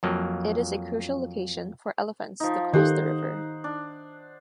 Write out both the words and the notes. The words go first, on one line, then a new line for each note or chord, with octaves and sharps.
It is a crucial location for elephants to cross the river.
F2 F#3 A#3
F3 D#4
D#3 G4 A4 C5 F#5
D4